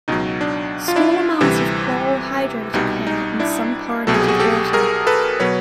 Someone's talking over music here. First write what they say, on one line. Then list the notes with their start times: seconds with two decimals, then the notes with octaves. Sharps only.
Small amounts of chloral hydrate occur in some chlorinated water.
0.08 C#2 B2 F#3 D#4
0.41 D4
0.88 F4
0.96 D4 E4
1.41 D2 C3 E3 G3
2.74 C2 B2 G3 D#4
3.07 D#4
3.40 D4 E4
4.07 C2 B2 F#3 A4
4.14 G#4
4.22 G4
4.28 F#4 G#4
4.40 G4 A4
4.73 G#4 A#4
5.07 A4 B4
5.40 B2 F#3 B4 C#5